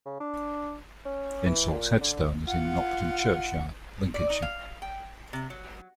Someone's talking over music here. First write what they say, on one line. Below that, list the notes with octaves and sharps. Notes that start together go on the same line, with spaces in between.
Insall's headstone is in Nocton Churchyard, Lincolnshire.
C#3
D4
C#4
E3
A#2
D3
F4 F#5
D5
D#4
F5
G5
C3
F#3